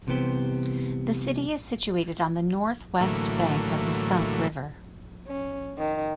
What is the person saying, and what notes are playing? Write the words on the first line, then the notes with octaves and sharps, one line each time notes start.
The city is situated on the northwest bank of the Skunk River.
C2 C3 E3 B3 G4 C5
A2 D3 E3 F#3 A3 A#3
C#4
D#3